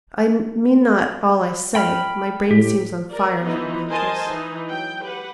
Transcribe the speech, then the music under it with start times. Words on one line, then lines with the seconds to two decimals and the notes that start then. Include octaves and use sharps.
I mean not all I say--my brain seems on fire, little Beatrice.
1.75 G5 B5 F6
2.51 A2 G4
3.11 A#4 D5
3.43 E3 F3 B3 D#4
3.88 A#4 C5 D#5 G#5 A5 C6
4.29 E3 D#4
4.68 F#3 G5
5.01 G4 B4 F#5